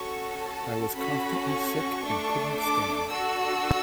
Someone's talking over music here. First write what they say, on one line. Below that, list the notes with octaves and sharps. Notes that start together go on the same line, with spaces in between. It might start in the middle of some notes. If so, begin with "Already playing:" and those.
I was constantly sick and couldn't stand.
Already playing: C#4 F#4 A4 C#6
A5
C#4 F#4 A4 B5
C#6
A3 D4 A4
D6
D4 F#4 A4 E6